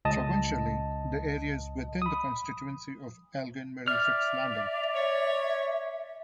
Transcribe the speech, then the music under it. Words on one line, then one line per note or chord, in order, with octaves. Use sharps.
Provincially, the area is within the constituency of Elgin-Middlesex-London.
C#2 D#5 A5 D#6
B5 D#6
D5 E5 F6
C#5